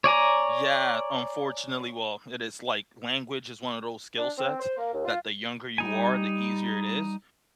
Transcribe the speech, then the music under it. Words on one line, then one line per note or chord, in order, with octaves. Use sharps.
Yeah, unfortunately, well, it is like language is one of those skill sets that the younger you are, the easier it is.
C#5 D5 G#5 A#5
D4
C4
C5
A#3
D#2
F4
G3 D#4 G#5